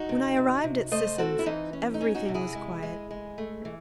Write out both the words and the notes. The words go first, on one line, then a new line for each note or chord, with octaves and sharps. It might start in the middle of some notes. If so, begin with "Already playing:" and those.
When I arrived at Sisson's everything was quiet.
Already playing: D#4 F#4
C3
C3
C3
A3 C5 D#5
C4 F#4 A4
E4
E3 D#4
C#4
D#4
C#4
D#4 F#4
C3
E4 G#4
G#3
G#3
G#3
A3
E3